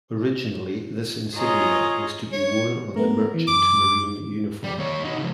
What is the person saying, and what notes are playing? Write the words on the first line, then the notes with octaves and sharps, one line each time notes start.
Originally, this insignia was to be worn on the merchant marine uniform.
F4 G#4 C#5 D#5 A#5
C#5
A3 B3 A#4
E3
F#2 D6
G3
D#2 C#5
D#4 F#4
C#3 F3